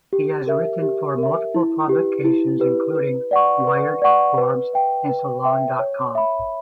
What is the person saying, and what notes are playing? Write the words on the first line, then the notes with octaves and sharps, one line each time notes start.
He has written for multiple publications including "Wired", "Forbes", and Salon dot com.
G4
A#4 E5
G4
A#4 E5
E4
G4 B4
E4
G4 B4
B4
D5 F#5 C#6
B4
D5 F#5 C#6
B4
E5 G5
B4
E5 G5
C#5
E5 B5